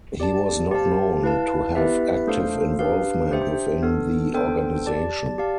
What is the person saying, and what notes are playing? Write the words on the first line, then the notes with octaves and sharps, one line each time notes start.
He was not known to have active involvement within the organization.
G4 D5 A5
G4 C5 F5 A5
E4 B4 F5 A5
B3 E4 G4 B4 E5
A3 D4 A4 C5 F5
D4 G4 B4 F5
D4 G4 C5 E5 G5
B3 D4 A4
B3 D4 A4 C5 G5
G4 D5 A5
G4 D5 F5 A5